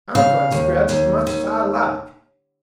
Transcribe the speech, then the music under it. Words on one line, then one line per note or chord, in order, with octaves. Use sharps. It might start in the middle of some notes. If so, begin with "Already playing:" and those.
"I'm going to scratch as much as I like!"
C#3 F5
D#2
D#2
D#2